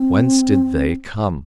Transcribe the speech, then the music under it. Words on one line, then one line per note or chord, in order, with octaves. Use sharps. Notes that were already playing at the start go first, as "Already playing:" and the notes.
Whence did They come?
Already playing: C4